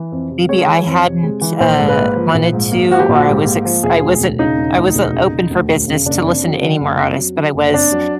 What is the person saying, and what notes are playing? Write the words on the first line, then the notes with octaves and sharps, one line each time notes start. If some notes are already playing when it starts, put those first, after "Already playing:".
maybe I hadn't, uh, wanted to, or I was ex I wasn't I wasn't open for business to listen to any more artists, but I was
Already playing: E3
F2
C3
G#3 C#5
E3
F2
C3
G#3
E3
A#1 C5
G#2
B4
A#3
F3
A#1
G#2
A#3
F3 F#4
G4
A#1
F#4
G#2 G4
A#3
F3
E1 G#4
D2
E1
C#3 D#4
E1
D2
E1
C#3
E1
D2
E1
C#3
F#1 D4
F2
F#3
D3
F#1
F2
F#3
D3
F#1
F2 D4
F#3